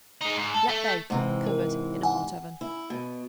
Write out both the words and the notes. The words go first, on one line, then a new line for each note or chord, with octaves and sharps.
Let bake, covered, in a hot oven.
G#3 D#4
G#2
A4
A3
G#2 C3 E3
A#4
F#5 G#5
E4
B2